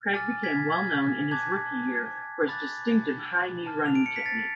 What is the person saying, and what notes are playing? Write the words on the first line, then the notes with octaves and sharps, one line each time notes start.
Craig became well known in his rookie year for his distinctive high-knee running technique.
G#5 D6 F6 A6
G#6 B6
G#6
A5 D6 F#6 G#6
B5 D6 F#6 A6
A5 F6
F7
D7
C#7
B6
A6